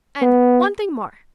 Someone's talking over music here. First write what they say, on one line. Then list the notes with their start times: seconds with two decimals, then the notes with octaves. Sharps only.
And--one thing more!
0.22 B3